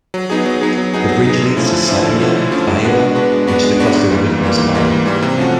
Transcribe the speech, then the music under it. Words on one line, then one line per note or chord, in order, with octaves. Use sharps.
The bridge leads to Sabula, Iowa, which is across the river from Savanna.
F#3
B3 D#4 G#4
F#3
B3 D#4 G#4
F#3
B3 D#4 G#4
F#3
B3 D#4 G#4
D3
F3 A3 C#4 E4
D3
F3 A3 C#4 E4
D3
F3 A3 C#4 E4
D3
F3 A3 C#4 E4
G#3
B3 D4 F#4 B4
G#3
B3 D4 F#4 B4
G#3
B3 D4 F#4 B4
G#3
B3 D4 F#4 B4
G#2
E3 G3 A#3
G#2
E3 G3 A#3
G#2
E3 G3 A#3
G#2
E3 G3 A#3
C3
F3 A3 C#4 F#4